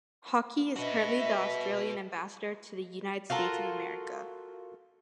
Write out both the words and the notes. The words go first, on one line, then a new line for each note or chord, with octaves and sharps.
Hockey is curreny the Australian Ambassador to the United States of America.
F#4 B4 D#5 E5
F4 F#4 A4 A#4